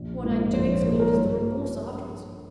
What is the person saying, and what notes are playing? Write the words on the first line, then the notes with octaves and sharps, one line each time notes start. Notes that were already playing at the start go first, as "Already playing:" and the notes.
What I do exclude is the remorse afterwards.
Already playing: A#1
G#2 F3 A#3
A#1 C5
C#5
G#2 F3 A#3 A#4
A#4
G2 C#5